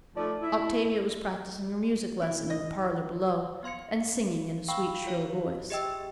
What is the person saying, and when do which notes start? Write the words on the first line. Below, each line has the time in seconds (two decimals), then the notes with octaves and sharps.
Octavia was practising her music lesson in the parlour below and singing in a sweet shrill voice.
0.16 F3 A3 D#4 D5
0.42 E4
2.22 E4
2.50 D#5
3.63 B3 F5 C6 G#6 C#7
4.68 F5 G5 B5 C#6 E6
5.05 F4 G4 C#5 F5
5.70 G4 G#4 D#5 E5 G5 E6